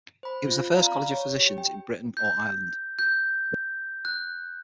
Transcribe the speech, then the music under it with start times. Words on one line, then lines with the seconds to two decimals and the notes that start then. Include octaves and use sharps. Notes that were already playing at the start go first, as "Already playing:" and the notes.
It was the first College of Physicians in Britain or Ireland.
0.23 C5 B5
0.47 C4 F4
0.74 D5 F5 A#5 B5
1.11 C#5
1.39 G4
1.58 G5
2.17 G6
2.99 G6
4.05 F#6